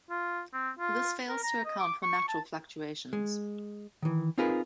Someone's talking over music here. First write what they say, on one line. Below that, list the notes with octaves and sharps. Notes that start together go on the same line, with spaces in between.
This fails to account for natural fluctuations.
F4
C4
F4
A#4
A#5
D#5
D6
C#6
A5
G#3
D#3 E3
C4 D#4 F4 G#4 A#4 B4